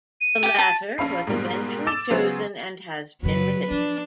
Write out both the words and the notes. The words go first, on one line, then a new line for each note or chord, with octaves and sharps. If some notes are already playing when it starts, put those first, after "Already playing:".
The latter was eventually chosen and has been released.
D#7
G4 G5
A5
A#1 C#4 F5 B5 C7
G#2 B2 G3 A#3
D6 E6 A6 E7
C#3 F#3 B3 G#4 C5
F#2 C#3 F#3 B4
F3 D4